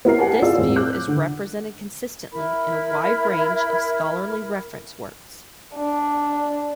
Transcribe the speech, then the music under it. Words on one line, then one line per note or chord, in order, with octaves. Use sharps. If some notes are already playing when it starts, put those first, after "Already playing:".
This view is represented consistently in a wide range of scholarly reference works.
B3 E4 A#4 C7
G4 F#5 G#5 A5
E4 F4 G#4 A#4 D5 E6
E2 A2 C4
D6 F#6 G6
D3
E4 A#4 B5
D4